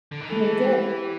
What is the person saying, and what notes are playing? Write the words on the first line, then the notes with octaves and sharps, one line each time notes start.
They did.
D3
D#3
E3 A4
G4